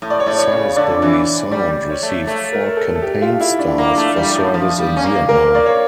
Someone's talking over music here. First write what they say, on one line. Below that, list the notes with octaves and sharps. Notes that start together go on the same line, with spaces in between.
"Salisbury Sound" received four campaign stars for service in Vietnam.
A2
D5
C#5
A2 D5
C#5
C#3
D3 D5
E3
G3 D5
C#5
A3
A3 C#5
A#4
A4
A4
G4
F4
E4
D4
A#3
A3
G3
A2
F3
G3
C#4
A#3
A#3 A#4
A#3 D5
C#5